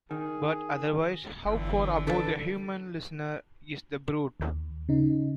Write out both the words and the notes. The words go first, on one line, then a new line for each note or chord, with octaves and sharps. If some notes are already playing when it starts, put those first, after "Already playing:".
But, otherwise, how far above the human listener is the brute!
D#3 G#4
G1 D3 E3
D4 A4 B4
D#2
C#3 D#4